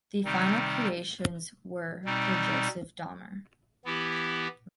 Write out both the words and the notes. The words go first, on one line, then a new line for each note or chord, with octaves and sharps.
The final creations were for Joseph Damer.
C3 D#3 G3 C4 D#4
B2 G3 C4 D#4
E3 B3 E4 G4